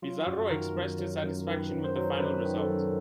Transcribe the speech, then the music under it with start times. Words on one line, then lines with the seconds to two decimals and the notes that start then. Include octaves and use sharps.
Pizarro expressed his satisfaction with the final result.
0.02 F#3 F4
0.26 F#2 F#4
0.50 D#3 A#4
0.75 F#2
0.99 F#3
1.23 F#2
1.48 D#3 B4
1.72 F#2
1.84 C5
1.96 F#3
2.20 F#2 B4
2.44 D#3
2.57 A4
2.69 F#2